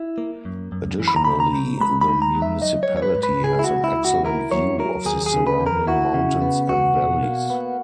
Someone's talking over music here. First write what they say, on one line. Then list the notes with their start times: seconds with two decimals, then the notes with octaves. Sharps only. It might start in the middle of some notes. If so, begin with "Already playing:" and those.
Additionally, the municipality has an excellent view of the surrounding mountains and valleys.
Already playing: E4
0.18 A#3
0.45 F#2
0.72 F#2
1.00 E3
1.08 B5
1.16 A#5
1.25 C#3 B5
1.40 A#5
1.53 C#3
1.80 G#3 B5
2.01 B5
2.08 D#4
2.22 A#5
2.35 G#3
2.42 E5
2.62 F#3 D#5
2.83 C#5
2.90 F#3
2.97 C#5
3.02 B4
3.16 G#2
3.23 B4
3.43 C#2 G#4
3.59 E4
3.64 F#4
3.71 C#2
3.84 E4
3.98 C#2
4.05 F#4
4.25 E4 A#4
4.51 F#3 C#5
4.79 F#3 A#4
5.05 D#2 G#4
5.26 G#4
5.33 C#3
5.47 B4
5.60 D#2
5.66 A#4
5.87 E4 F#4
6.14 C#3
6.41 B3
6.68 E2 F#4
6.96 B2
7.23 A#3
7.50 B3